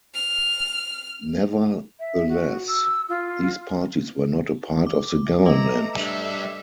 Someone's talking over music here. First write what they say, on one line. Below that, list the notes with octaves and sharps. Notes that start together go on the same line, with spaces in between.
Nevertheless, these parties were not a part of the government.
F6
E5
F#4
E6
F4
D6
A3 B4 D#5 A#5 D6
G3 D4 E5